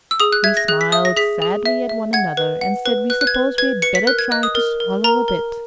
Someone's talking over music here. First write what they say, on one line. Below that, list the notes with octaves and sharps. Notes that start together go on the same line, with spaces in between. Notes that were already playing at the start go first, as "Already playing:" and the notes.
We smiled sadly at one another, and said we supposed we had better try to swallow a bit.
E6
G#4 D#6
F#6
E5 G#6
A#6
G#4 F#6
B6
E5 D#6
A#6
G#4 B6
G#4
E5
E5
F#5 G#6
B4
F#5
B4
B4 F#6
F#6
G#6
B4
B4 G#6
B4 C#7
B6
A#4 F#6
G#6
D#5 F#6
D#6
A#4
A#4
A#4 A#5
A#4